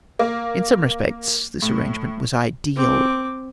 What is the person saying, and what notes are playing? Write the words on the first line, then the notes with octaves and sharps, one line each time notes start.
In some respects this arrangement was ideal.
A#3
A2
C4 D6